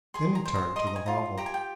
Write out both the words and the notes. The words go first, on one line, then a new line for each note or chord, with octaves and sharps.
Then he turned to the hovel.
G#4 C6
A#5
C5
A#5
D#5 C6
A#5
G#5
F4 A#5
G4 A#5
G#5
G5